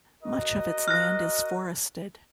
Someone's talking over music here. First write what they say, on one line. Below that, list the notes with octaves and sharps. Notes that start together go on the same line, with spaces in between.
Much of its land is forested.
F#4 A#4 D#5
F6 F#6 A#6